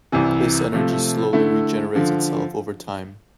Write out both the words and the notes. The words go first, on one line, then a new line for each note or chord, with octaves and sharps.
This energy slowly regenerates itself over time.
C2 C3 E3
C3 F3 A3
D3 A3 E4
D3 F3